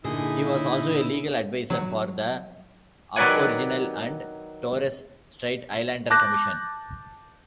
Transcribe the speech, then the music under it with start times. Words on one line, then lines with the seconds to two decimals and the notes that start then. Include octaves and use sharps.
He was also a legal advisor for the Aboriginal and Torres Strait Islander Commission.
0.04 A#2 D3 D#4 E4 G#4
1.70 F#3
3.16 D#3 F#3 B4 D5 F#5 G#5
6.10 A5 D6 F#6 G6 A#6